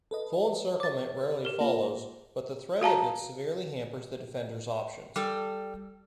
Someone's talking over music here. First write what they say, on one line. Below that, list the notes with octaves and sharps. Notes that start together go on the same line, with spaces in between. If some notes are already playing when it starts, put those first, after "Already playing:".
Full encirclement rarely follows, but the threat of it severely hampers the defender's options.
A4 B4 D#5
C#5 D6 A6
B4 C5
G4 A#4
A#3 F4
F#4 F5 A5 A#5
G3 A4